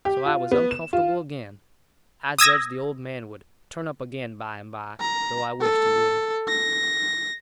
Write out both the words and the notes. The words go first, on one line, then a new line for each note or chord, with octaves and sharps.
So I was uncomfortable again. I judged the old man would turn up again by and by, though I wished he wouldn't.
G4
F4
B3
E7
F4
D#6 E6 G#6 A#6
A#5
A4
A#6